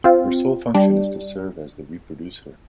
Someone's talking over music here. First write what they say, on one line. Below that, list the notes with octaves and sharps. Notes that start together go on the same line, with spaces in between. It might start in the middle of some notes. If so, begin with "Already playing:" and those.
Her sole function is to serve as the reproducer.
C4 F4
G3 D4